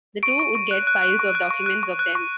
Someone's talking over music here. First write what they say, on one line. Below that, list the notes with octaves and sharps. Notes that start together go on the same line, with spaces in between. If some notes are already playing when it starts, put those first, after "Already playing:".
The two would get "piles of documents" of them.
C#6 D7
C#6
C#6
F#6
F#6
F#6
C#6
F#6
C#6
F#6
C#6
F#6
C#6